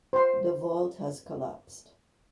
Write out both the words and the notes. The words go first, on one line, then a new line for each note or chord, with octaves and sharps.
The vault has collapsed.
C5 C6